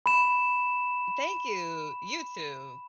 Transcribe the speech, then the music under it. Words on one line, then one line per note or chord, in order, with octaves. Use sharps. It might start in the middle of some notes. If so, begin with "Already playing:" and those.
Thank you. You too.
B5 E7